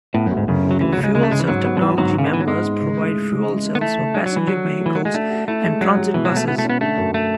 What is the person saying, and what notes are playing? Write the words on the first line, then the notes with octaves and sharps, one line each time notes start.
Fuel cell technology members provide fuel cells for passenger vehicles and transit buses.
A2 B3
F#2
D2
G#2
F#2 C#3
C#3
F#3
D2 E3
C#3 F#3
G#3
C#3 G#3
A3
C#3 G#3
E3
G#2 F#3
B3
D3
E3 B3
G#2 F#3
C#3 B3
D3
E3 B3
F#3
G#2 G#3
G#2
C#3
A3
E4
C#3
E3
A3
B3
A3 E4
C#3
G#3 D4
F#3
E3 D4
D3 F#3
A3
A3
E3
F#3 F#4
G#3
A3 D4
F#4
A3 E4
G#3
F#3 G#3
G#3
B2 E3
F#3
B2
A3
B3 E4
A3
C#4
B3
D3 A3
F#2
A3